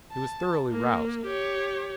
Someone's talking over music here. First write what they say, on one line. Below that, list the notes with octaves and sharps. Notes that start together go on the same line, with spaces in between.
He was thoroughly roused.
A5
A#3
G4 C#5